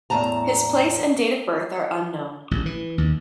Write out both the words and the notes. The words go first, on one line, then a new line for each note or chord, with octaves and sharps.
His place and date of birth are unknown.
E2 A2 A5 A#5
A1
E3
D#2